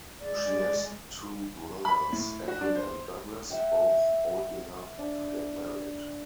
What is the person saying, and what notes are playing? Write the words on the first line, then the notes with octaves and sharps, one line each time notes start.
She has two brothers, Edwin and Douglas, both old enough to get married.
G#3 D5
B5
A2
F#4
D4
C5
E5 F#5 G5
D4